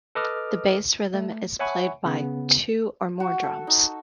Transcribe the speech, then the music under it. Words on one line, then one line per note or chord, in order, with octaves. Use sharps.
The base rhythm is played by two or more drums.
A4 B4 D#5 D6 D#6 F6
A3
C#5 E5 F#5 G#5 B5 C#6
C#3 B3
F#4
A4
D#4